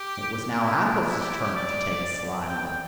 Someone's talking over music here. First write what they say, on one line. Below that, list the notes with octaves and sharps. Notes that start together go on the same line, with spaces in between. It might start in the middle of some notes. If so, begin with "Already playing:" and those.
It was now Athos's turn to take a sly look.
Already playing: G4
D4
E4
D4
E4
G4
E4
G4
D5
G5
G5